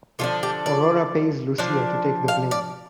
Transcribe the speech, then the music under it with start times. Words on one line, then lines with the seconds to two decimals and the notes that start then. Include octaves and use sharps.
Aurora pays Lucia to take the blame.
0.19 D3 F3 D4 F4
0.43 G4
0.66 D5
1.58 F3 D4
2.28 F5
2.51 D5